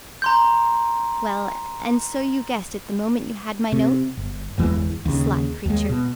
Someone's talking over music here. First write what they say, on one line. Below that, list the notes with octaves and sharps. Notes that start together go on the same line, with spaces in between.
Well, and so you guessed it the moment you had my note? Sly creature!
A#5 C6 G6
C3
G1
G1 E2 E3 G#3
D#2 C#3
D#2 G#3
B2